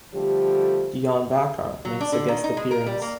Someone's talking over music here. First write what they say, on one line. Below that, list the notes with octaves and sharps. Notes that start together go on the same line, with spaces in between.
Dian Bachar makes a guest appearance.
D3 F3 G3 A3 G4
F#3
D4
D3
D#3
D#4
G#3
A#4
G3
A#3